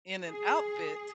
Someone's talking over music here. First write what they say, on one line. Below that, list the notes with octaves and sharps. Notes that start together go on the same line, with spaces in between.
in an outfit
G#4